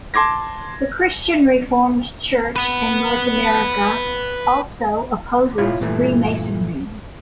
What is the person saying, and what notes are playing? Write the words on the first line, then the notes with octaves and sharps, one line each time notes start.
The Christian Reformed Church in North America also opposes Freemasonry.
A5 C6 D6 G#6 A#6
B4 F#5
A#2 E4 F4 C#5
G2 A#2 E3 A3